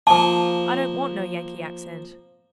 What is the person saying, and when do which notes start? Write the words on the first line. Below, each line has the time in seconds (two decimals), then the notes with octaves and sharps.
I don't want no Yankee accent.
0.07 F3 A#3 A5